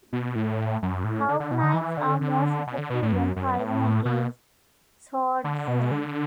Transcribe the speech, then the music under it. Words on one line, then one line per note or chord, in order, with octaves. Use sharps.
Hawknights are most effective when fighting against Swordsmen.
B2
A2
F#2
A2
D3
D3
B2
D3
E3
D3
D3
B2
D3
B2
A2
F#2
F#2
A2
B2
D3
B2
D3